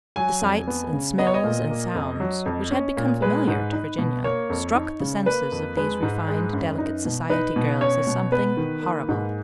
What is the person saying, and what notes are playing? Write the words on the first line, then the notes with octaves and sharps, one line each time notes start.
The sights and smells and sounds which had become familiar to Virginia struck the senses of these refined, delicate society girls as something horrible.
F#3 G#5
F2
B3
C#3
B3 D#5
C#5
D#5
A#2
A#3
F2
F#3
F2
C#4
A#2
G#3 B4
G#2
D#4
B2
A#3 C#5
F2
D#4
C#3
A#3 B4
F2
G#3 B4
G#2
G#3
F#2
D#4
B2
D#4 B4
B2
C#4 C#5
B2
B3 B4
D#3
A#3
G#2